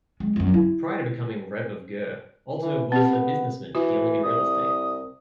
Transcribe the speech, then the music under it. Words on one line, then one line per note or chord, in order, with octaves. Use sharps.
Prior to becoming Rebbe of Ger, Alter was a businessman dealing in real estate.
G#3
G1 F#2
E4
E3
B3 C4 G4
E3 F#4
C2 D#6